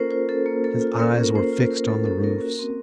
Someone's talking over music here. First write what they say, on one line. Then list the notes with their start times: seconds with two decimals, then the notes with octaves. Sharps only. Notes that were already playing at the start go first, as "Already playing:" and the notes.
His eyes were fixed on the roofs.
Already playing: A#3 C#4 F4 A4 A#4 C5
0.11 F4 C5
0.29 C#4 A4
0.46 A#3
0.64 A#3 A4
0.81 F4
0.99 A#3 A#4
1.17 C#4
1.35 C#4 C5
1.53 F4
1.70 F4 A#4
1.88 A#3 A4
2.06 C#4 A4
2.23 A#3 A#4
2.41 F#4
2.59 C4